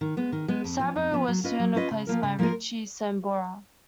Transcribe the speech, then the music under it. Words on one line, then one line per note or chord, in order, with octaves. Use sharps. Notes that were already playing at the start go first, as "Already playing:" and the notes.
Sabo was soon replaced by Richie Sambora.
D#3
G#3 B3
D#3
G#3 B3
F2
F3 B3
F2
F3 B3
F#3
C#4 F4 B4 D#5
F#3
C#4 F4 B4 D#5
C#3
F3 A#3 F4 A#4
C#3
F3 A#3 F4 A#4